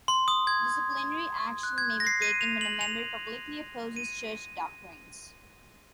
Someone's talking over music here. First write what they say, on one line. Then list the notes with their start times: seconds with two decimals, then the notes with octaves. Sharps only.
Disciplinary action may be taken when a member publicly opposes church doctrines.
0.08 C6
0.28 D#6
0.47 G#6
1.63 F#6
1.78 G#6
1.93 G#6
2.00 A#6
2.07 C7
2.22 D#7
2.41 F7
2.61 F#7
2.81 F7
3.96 D#7